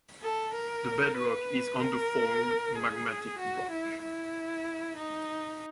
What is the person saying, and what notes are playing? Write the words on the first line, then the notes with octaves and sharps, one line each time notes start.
The bedrock is undeformed magmatic rock.
A4
A#4
B4
A#4
G#4
F#4
E4
E4
D#4